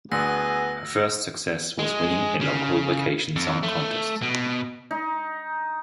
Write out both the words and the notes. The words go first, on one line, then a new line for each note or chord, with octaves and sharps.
Her first success was winning a local vacation song contest.
D2 B3 G#4 E6 A#6
G#3
C#3
F2
A3
B2
D#4